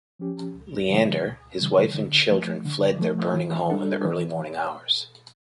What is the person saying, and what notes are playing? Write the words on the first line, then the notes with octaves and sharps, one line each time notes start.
Leander, his wife and children fled their burning home in the early morning hours.
F3 C#4 G4
C#2
C#3 E3 G3
C#2
C#3 E3 G3
D3
F3 A3
D3
F3 A3
E3
G3 D4 A4
E3